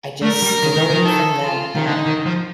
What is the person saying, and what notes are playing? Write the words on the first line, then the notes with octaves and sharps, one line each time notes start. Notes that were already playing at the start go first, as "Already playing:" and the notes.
I just learned from that that
A3 A#4
G3
D#3
D#3
D#3
A4
F4
D#3
D3 D#4
D#3
F3